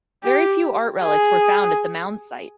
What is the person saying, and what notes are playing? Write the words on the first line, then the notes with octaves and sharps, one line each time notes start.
Very few art relics were found at the mounds site.
G4
G#4